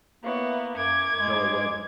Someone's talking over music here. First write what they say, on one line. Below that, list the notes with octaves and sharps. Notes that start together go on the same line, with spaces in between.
No, it wasn't.
A#3 B3 E4 C#5 F5
F#2 D6 G#6
G#3